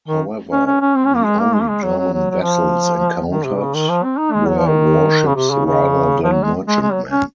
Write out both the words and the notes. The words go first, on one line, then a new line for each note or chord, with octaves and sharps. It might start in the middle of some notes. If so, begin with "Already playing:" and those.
However, the only German vessels encountered were warships rather than merchantmen.
D#3
C#4
C#4
C#4
C4
C#4
A#3
G#3
A#3
G#3
A#3
G#3
F#3
F#3
F#3
F#3
F3
D#3
C3
C#3
D#3
F3
C4
D#4
G#3
F#3
F3
D#3
C#3
C3
C#3
C#3
F3
F#3
G#3
G#3
G#3
F#3
C#4